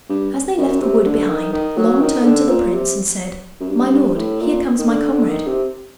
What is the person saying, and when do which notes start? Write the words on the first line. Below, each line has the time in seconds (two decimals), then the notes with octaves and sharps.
As they left the wood behind, Long turned to the prince and said, 'My lord, here comes my comrade.
0.09 G2
0.57 F#2
0.81 C3
1.06 D3
1.30 D#3
1.53 D#3
1.77 F#3
2.01 D#3
2.25 D3
2.49 A#2
2.72 C3
3.60 F#2
3.68 G2
3.93 G2
4.16 A2
4.41 A#2
4.79 D#3
4.88 D3
5.12 D3
5.29 D#3
5.47 C3